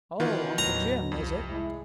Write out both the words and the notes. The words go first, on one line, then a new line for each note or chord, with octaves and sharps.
"Oh, Uncle Jim, is it?"
B2 D#3 E3 F4
A1 D#2 F#3 A#5
C2 F2 F3
G#3 E4